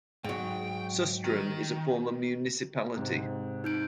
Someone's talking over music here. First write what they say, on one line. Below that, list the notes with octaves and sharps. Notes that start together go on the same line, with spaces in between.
Susteren is a former municipality.
G#2 F#3 G5
D#3
G#2 C3
D#4 G6 D7